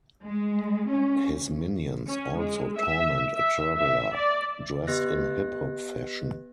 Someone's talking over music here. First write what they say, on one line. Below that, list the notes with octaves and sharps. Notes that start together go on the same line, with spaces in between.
His minions also torment a traveler dressed in hip hop fashion.
G#3
C#4
C#4
G#3
E5
E5
E5
D5
B3 G4 B4 D#5 F#6 A#6